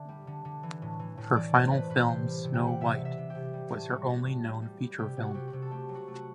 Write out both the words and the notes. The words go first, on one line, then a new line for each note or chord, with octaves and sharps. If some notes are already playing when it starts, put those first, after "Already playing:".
Her final film Snow White was her only known feature film.
Already playing: D3 E5
G3
D3
D3
E3
A2
E3
A2
E3 D5
A2 C5
A2 B4
A2 B4
C3 C5
G3
C3
G5
G3 F#5
C3 E5
C3
E5
C3
G4
C3
G3
A2
G3 F#4
G3
A2
G3
G3
G3
C3 G4
C3
F#4
C3 G4
F#4
C3
A4
A3 G4
F#3
F#4
A3
F#4